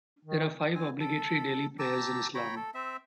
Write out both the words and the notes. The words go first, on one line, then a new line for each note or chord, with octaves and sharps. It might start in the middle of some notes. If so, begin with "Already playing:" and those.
There are five obligatory daily prayers in Islam.
D#3
C4 G#5
A4
G4 A5 A#5 E6
C#5 G5 A#5 B5
A4
C4 E5